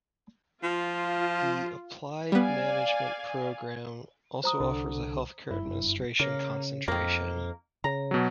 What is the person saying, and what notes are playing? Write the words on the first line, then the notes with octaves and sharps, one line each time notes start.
The Applied Management program also offers a Healthcare Administration concentration.
F3 F4
G3 B3 D5 F5 G#5
C5 A#5 D#6
C2 D3
F#1 G2 E4
C#3 A#3
F2 D#3 A#3
C#3 A#5
B2 F#3